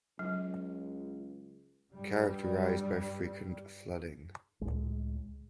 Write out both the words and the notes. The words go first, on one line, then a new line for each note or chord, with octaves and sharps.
Characterized by frequent flooding.
C#2 F#3
G2 G3
C#2 A2 G#3